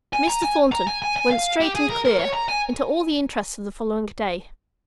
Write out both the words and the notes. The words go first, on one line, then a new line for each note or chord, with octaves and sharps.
Mr. Thornton went straight and clear into all the interests of the following day.
G#5
A#5
G#5
A#5
G#5
G#5
G#5
F5
G4
G#4
A#4
A#4
C#5
A#5
G#5